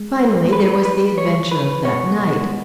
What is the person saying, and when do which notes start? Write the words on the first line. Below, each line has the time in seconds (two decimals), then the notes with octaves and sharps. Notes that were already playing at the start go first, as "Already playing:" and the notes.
Finally, there was the adventure of that night.
Already playing: G#3
0.53 B4
0.85 B4
1.18 C#5
1.51 B4
1.84 B2 G#3 B3 C#5